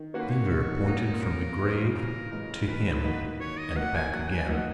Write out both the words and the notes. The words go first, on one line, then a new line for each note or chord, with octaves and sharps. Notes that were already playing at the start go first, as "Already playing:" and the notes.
The finger pointed from the grave to him, and back again.
Already playing: D#3
A#3 C#4 F#4 C#5
B4
C#5
D#3 F#4
A#3 C#4 D#4 F#4
C#3 A#4
E3 G#3
C#3 A#4
E3 G#3 A#4
D#3 B4
A#3 D#4 F#4
D#3 C#5
D#5
A#3 D#4 F#4 F#5
G#5
F#3 F#5
G#5
A#3 D#4 F#4 F#5